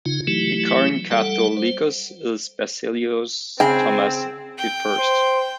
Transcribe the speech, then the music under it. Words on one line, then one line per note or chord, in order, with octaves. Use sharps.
The current Catholicos is Baselios Thomas the First.
C#3 D#4 F4
E3 F#3 A3 E4 G4
G3 A4 F#5
C5
C#3 C4 G#4 G5
G5
C5